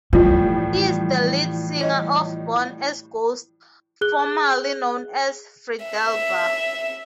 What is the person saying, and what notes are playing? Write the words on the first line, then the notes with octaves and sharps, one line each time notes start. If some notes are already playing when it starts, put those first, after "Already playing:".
He is the lead singer of Born As Ghosts, formerly known as Fredalba.
A2 E3 F3 G3 F4
C#5 D#5
G#4 F#6 G7
E5